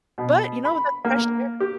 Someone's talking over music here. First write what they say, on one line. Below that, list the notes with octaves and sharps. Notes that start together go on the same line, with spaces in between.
But, you know, that's fresh air.
B2
B5
A#3
G4